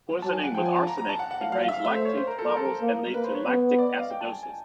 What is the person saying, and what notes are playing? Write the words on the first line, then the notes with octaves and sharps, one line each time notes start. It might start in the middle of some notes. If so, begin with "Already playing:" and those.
Poisoning with arsenic can raise lactate levels and lead to lactic acidosis.
F#3 A5
G#5
F#5
F3 G5
G#5
A5
A#5
A#5
A5
F#5
F#5
F5
F#3 F5
F5
E5
F5
A3 E5
C5
C#5
C5
A#4
A4
A#4
A4
A#4
A#3
A#3 B4
C5
C#5
B3
D5
D#5
F5
G5
A5
G#5
G#5